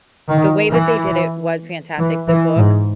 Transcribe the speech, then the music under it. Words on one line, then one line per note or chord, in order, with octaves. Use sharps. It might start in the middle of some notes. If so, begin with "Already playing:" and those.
the way that they did it was fantastic. The book
D#3
E3
E3
E3
G#2